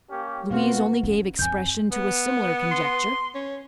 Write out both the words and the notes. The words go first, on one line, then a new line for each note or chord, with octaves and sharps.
Louise only gave expression to a similar conjecture.
A#3 C#4 G4
B2 B3 C4 F4 F#4
C#4
F2 G#5 G6
B3
C6
C#4